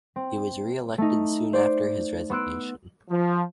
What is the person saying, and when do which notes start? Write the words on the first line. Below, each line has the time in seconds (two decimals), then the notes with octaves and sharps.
He was re-elected soon after his resignation.
0.16 C4
0.98 A3 D#4
1.53 C5 D5
2.30 B3 C6 E6 F#6 D7
3.09 F3